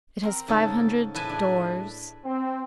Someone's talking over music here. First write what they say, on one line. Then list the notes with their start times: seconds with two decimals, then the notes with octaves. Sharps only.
It has five hundred doors.
0.23 C4 A#4
0.48 G#2 C#3 A4
1.15 A2 A4 B4 E5 G#5
1.29 D4
2.25 C4